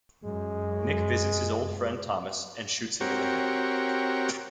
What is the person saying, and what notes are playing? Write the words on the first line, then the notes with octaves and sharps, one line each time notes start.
Nick visits his old friend Thomas and shoots him in the head.
F#2 G#3
C4 F#4 G4 A#4 C#5